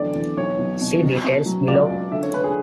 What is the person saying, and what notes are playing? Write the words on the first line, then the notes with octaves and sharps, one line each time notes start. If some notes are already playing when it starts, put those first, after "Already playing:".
See details below.
Already playing: E2 D3 F#3 D5
E2
B1 C#5
B1
B2
B2
B2
F#3
C#2 D5
C#2
D3 E5
C#5
D3 B4
G#4